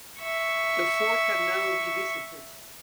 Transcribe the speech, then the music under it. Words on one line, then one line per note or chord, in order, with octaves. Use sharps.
The fort can now be visited.
E5 C#6